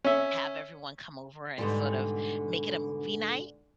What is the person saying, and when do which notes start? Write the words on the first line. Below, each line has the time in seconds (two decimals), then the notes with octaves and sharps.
have everyone come over and sort of, make it a movie night
0.05 C#4 E5
1.58 G#2 B2 D3 D#3 F3 G3